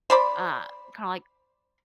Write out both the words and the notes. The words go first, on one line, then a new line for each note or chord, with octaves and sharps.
Uh, kinda like
C5 D5 B5